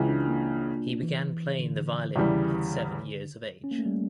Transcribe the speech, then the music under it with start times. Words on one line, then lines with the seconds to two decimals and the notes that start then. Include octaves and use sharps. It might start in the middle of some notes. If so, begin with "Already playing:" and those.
He began playing the violin at seven years of age.
Already playing: C#2 C#3 E3 F4
0.09 D4
0.28 A#3
1.03 E3
1.60 D3
2.16 E2 C#3 E3 G3
3.64 C#4
3.71 A#3
3.79 A3
3.86 G3